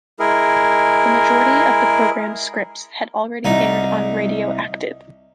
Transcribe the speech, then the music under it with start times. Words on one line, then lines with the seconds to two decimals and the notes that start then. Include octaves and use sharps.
The majority of the programme's scripts had already aired on "Radio Active".
0.19 G#3 E4 G#4 A#4
3.45 C2 D#4